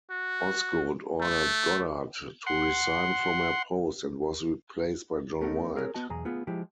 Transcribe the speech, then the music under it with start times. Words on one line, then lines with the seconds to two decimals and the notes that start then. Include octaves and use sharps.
Osgood ordered Goddard to resign from her post and was replaced by John White.
0.11 F#4
1.21 A3
2.47 F#5 C6
5.41 A3 B3 C#4 D#4 A4 A#4
5.75 C4 G#4 A#4 C#5
5.94 B3 F#4 D#5 A5
6.09 B1 E2 G#4 A#5
6.25 A3 B3 F4 G#4
6.47 F3 G#3 E4 G4